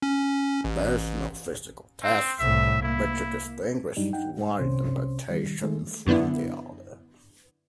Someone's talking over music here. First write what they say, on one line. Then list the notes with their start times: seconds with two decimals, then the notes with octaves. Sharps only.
There is no physical test which distinguishes one interpretation from the other.
0.02 C#4
0.64 A1
2.04 C4
2.39 C2 A2 E5
2.82 A#3 E4
3.97 G2 F#3 G3 D4 D#4
4.13 D#4 F#5 G5
4.39 G#2
4.59 C2 C3 C#4 C5
5.30 D#3 G3
5.62 D#3 G#3 A3
6.06 F#2 D3 B3 D4 E4